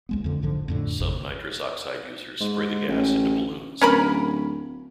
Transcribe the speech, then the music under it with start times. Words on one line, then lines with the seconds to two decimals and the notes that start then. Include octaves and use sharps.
Some nitrous oxide users spray the gas into balloons.
0.09 C#2 G#3 B3
0.24 F2 D3
0.42 B1 G#2 D3 F3
0.68 F2 A2 D3
1.00 G#1 F2 C3
2.41 G#2
2.88 A1
3.81 D1 C#4 A#4 B5